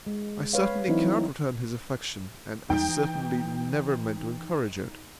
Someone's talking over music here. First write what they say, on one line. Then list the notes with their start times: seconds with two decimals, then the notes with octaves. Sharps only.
"I certainly cannot return his affection, and as certainly never meant to encourage it."
0.07 G#3
0.53 B4 C#5 F5
0.88 E3 F#3 C4 D#4 E4
2.70 E2 G3 G#3 D#4 G5
2.89 E3